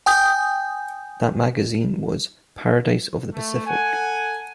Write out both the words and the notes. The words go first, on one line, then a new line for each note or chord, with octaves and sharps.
That magazine was "Paradise of the Pacific".
G5 G#5 D#6 G6
A3
A4 F#5 G#5